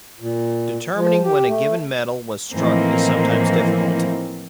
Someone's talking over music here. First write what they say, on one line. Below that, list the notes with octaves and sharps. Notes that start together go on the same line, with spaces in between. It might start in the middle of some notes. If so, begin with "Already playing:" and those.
Determining when a given medal was struck is sometimes difficult.
A#2
F3
G4
A3
A2 E3 F3 A#3 C4 D#4